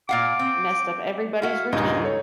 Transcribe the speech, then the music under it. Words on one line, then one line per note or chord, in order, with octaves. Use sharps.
messed up everybody's routine.
A#2 F5 F#5 D6
C4
E4 F#4 F5
C#2 G2 A#2 D#4 G#4
A4 C#5